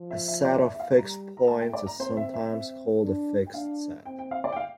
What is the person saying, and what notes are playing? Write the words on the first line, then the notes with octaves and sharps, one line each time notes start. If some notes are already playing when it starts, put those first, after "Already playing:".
A set of fixed points is sometimes called a "fixed set".
Already playing: F3
E5
E5
D5
D5
E5
E5
F5
G3 A#5
A#5
A3 A5
G5
D5
A#5
C4 C5
E5
E5
C4
D4
G5
D4 F5
C4 G5
G5
F5
D5
G5
F5